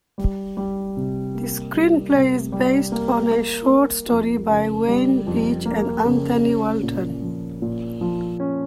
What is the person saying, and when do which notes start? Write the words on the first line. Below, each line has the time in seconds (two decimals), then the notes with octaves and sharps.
The screenplay is based on a short story by Wayne Beach and Anthony Walton.
0.18 G3
0.57 G3
0.97 C3
1.35 A#3
1.74 G3
2.14 C3
2.52 G3
2.92 A#3
3.31 A#3
3.70 A#3
4.09 F2
4.49 C#3
4.88 G3
5.26 F2
5.66 A#3
6.05 C#3
6.44 C#4
6.83 A#2
7.22 F3
7.62 A#2
8.01 F3
8.40 C#4